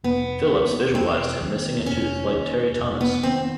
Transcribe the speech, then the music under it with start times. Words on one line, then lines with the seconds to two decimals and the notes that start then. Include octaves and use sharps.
Phillips visualised him missing a tooth like Terry-Thomas.
0.04 F1 B3
0.49 D#2 D#3
0.95 F1 C4
1.41 D#2 D#3
1.86 F1 C#4
2.32 D#2 D#3
2.77 F1
3.01 B3
3.23 D#2 D#3 C4